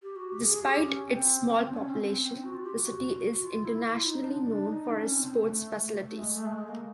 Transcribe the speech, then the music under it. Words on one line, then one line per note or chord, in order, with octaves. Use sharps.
Despite its small population, the city is internationally known for its sports facilities.
G4
F#4
G4
G#4
G4
C#4
C#4
C4
B3
D4
C#4
C4
F#4
F4
G4
G4
F#4
F#4
F4
E4
E4
F4
D#4
D4
D4
D#4
D4
C#4
C4
A3
A3
G#3
A3
G#3
A#3